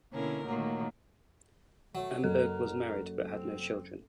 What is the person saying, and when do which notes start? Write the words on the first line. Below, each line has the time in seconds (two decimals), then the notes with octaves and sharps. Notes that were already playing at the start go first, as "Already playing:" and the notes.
Amberg was married but had no children.
0.12 B2 D3 A#3 C#4 E4 A#4
0.46 A#2 D#3 F#3 A3 A#3
1.95 F#3 A3
2.24 F#1 A4 A#4
3.27 C4